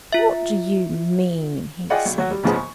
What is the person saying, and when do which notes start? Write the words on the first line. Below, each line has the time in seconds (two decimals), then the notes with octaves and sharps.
'What do you mean?' he said.
0.13 F4 E5
1.90 F4 G#4 D5 D#5 F#5 G5
2.05 B1
2.18 F#3 F#4
2.31 G3
2.43 G#2 C#3 F3 G#3 B3
2.56 C#6